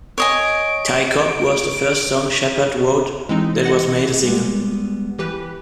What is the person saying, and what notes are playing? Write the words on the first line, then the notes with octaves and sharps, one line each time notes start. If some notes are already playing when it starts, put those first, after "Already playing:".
"Ty Cobb" was the first song Shepherd wrote that was made a single.
C#5 D#5 G#5 D7
E3 G#3 C4 D#4
D#5 F#5 A#6
G3 G#3 B3
E3 G4 B4